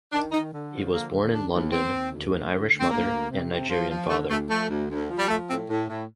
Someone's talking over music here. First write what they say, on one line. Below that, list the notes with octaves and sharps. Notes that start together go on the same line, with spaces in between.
He was born in London to an Irish mother and Nigerian father.
D#3 D4
D#3 D#4
D3
F3
D3 A#3
D#2
D#2 D4
D#2
D#2 C4
D#2
D2
D2
D2
D2
C4
D2 A#3
D2
C3
C3
F3
F3
D3 A3
D2 A3
F3 A3
D2
D2
F3
G3
F3 A3
A2 C4
A2
A2